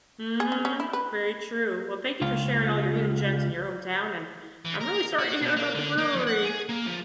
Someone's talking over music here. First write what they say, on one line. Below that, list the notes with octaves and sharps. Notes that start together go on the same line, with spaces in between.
Mhm, very true, well thank you for sharing all your hidden gems in your hometown, and I'm really sorry to hear about the brewery.
G#4
C#4
C#4
E4
B4
C#2 F4
E3
A#4
F#4
B2
A#3
D3
A#3
F2
F#5
G#4
A#3
F3